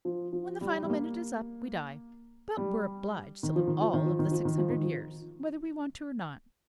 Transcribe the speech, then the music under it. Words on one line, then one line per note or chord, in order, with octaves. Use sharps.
When the final minute is up, we die; but we're obliged to live all of the six hundred years, whether we want to or not.
F3
F3
G3
G3
A#3
G3
D#3
F3
D#3
F3
D#3
F3
D#3
F3
D#3
F3
D#3
F3